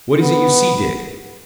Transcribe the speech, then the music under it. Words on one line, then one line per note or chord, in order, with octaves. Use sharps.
"What is it you see, Dick?"
B3